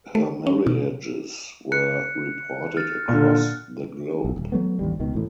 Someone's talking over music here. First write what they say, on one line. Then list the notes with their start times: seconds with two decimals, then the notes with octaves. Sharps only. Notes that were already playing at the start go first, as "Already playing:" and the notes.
Her marriages were reported across the globe.
0.15 A3
0.47 C#4
0.67 B2
1.72 F#6 C#7
2.77 F6 A6
3.08 A#2 D3
4.25 B1
4.37 D#1
4.52 F#3 A3 B3
4.79 A1 D#2 G3
5.00 C#2 B2 D#3
5.14 A1 A2